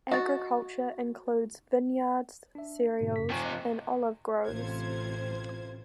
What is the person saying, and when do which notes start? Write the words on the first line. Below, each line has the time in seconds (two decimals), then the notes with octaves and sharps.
Agriculture includes vineyards, cereals, and olive groves.
0.11 F#4 D#5 A6
2.55 D4 E5
3.01 G#2 B2 D3
3.16 F#2 C#3 B6
3.31 C3 F3 G5 G#5 C#6
3.44 D#5 F#6
4.47 A1 C3 F4 C5 G#6